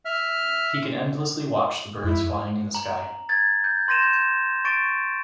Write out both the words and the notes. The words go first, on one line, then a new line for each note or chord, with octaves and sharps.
He can endlessly watch the birds flying in the sky.
E5 F6
F2 E4
A#5 F#7
G#6 A6
G6
C6 G6 A#6 D#7 E7
C#6 A6 D7 D#7